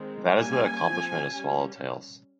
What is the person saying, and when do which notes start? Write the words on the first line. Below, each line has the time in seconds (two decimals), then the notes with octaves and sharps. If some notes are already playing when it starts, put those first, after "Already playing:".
That is the accomplishment of "Swallow Tales".
Already playing: D#3 G#3 C4
0.35 G3 A#3 C#4 G#5
0.84 F3 C4
1.30 G3 C#4